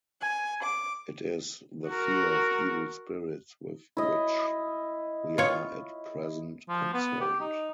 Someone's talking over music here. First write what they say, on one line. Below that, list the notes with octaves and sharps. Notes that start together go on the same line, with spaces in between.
It is the fear of evil spirits with which we are at present concerned.
G#5
D6
F#4 A#4
E4 D#5
F4 C#5
F3
B3
G4
D#4